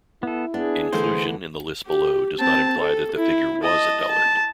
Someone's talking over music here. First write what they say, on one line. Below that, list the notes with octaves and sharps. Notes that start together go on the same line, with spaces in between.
Inclusion in the list below does not imply that the figure "was" a dullard.
B3 E4 A4
B3 D4 G#4
D3 E3 A3 C5
G4
C4 A5
A4
E4
D#5 A5
A5